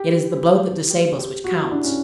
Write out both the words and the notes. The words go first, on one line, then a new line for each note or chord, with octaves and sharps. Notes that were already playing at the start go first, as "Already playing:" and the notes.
It is the blow that disables which counts.
Already playing: G4
G4
G4
F#4
E4
D4
C#4